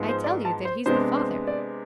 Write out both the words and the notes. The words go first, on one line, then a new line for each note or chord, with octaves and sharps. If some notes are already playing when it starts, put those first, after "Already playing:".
"I tell you that he's the father."
Already playing: G#2 F3 G#3 B3
C5
D5
A5
C5
C3 G#3 B3 D4 C5
C5
D5